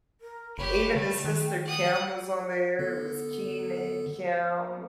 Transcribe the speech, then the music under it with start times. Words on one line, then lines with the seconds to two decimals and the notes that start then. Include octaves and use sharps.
E even the sister Kim was on there. It was Keenen, Kim,
0.21 A#4
0.58 F#1 G4 C#5 B5
0.95 D3 A3
1.25 D#3 G5
1.65 F#5 G5 D#6
2.79 D3 B3 A4